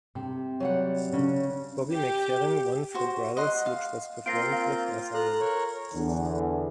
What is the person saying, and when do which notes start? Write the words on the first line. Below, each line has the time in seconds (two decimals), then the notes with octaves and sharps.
Bobby McFerrin won for "Brothers", which was performed with Wasserman.
0.15 C3
0.60 F#3 G3 F#5
1.13 C#3 C#4 D4
1.92 G4
2.94 F#4 C5
3.37 D#5 F#5 C6
3.66 F5
4.26 A#3 C4 F4 G6 A#6 C7 D7
4.52 F5
5.14 A4 A#5 F#6
5.41 A#4 C#5
5.94 E2 D3